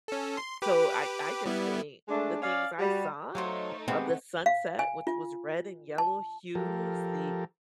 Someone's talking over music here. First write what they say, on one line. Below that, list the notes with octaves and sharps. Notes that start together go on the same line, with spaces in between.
So I I just think the things I saw of the sunset, which was red and yellow hues, the
C#4 A4
C6
G4 B4 D6
G3 B3 E4
G#3 A3 D4
C#4 D5 F5
G3 F#4
F#3 A3 D#4 C5 C#5 F5
G#3 B3 C4 G4 F#5
F5
G#5
F4
A5
F3 G4 A4 A#4